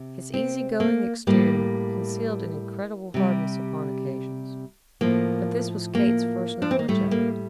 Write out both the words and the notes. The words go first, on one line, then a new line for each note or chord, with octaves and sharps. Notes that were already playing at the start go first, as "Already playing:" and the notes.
His easy-going exterior concealed an incredible hardness upon occasions, but this was Kate's first knowledge of it.
Already playing: C3
C4
A#3
A2 G3 A#3
C3 G3
A2 F3 A#3
A#3
D4
C4
A#3
A2 G3 A3
A#3